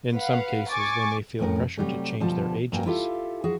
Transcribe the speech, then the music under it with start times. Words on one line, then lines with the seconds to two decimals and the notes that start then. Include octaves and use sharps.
In some cases, they may feel pressure to change their ages.
0.14 B4 F5 F#5
0.69 G#5 C#6 D6 A6
1.39 F2 A2 A3 C#4 A#4
1.77 C3 F#3 G3 A3
2.20 D2 B2 F3 G3 A5
2.72 G2 F#3 A#3 G5 G#5
2.86 E4 F4 G4 A4 E5 F5
3.44 F3 F#4 G#4